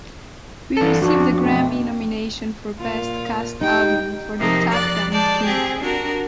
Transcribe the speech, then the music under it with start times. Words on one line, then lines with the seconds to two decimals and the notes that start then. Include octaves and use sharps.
He received a Grammy nomination for best cast album for "The Tap Dance Kid".
0.77 C2 G2 E3 A4
1.02 F2 D4 F#4
1.41 B2 A3 C4
2.79 A#2 F4
3.61 D#4 G4 G5
4.39 C3 F3 A#3 C4 D#4
4.70 F2 D5 F#6 A6
5.11 G#3 D5 A5 G6
5.44 C4 G4 G#4
5.80 D4 F#4 A#4